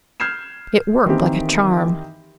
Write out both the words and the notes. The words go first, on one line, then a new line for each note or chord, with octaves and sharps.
It worked like a charm.
F6 G6 G#6 C7 E7
D#3 E3 A#3 C4 G4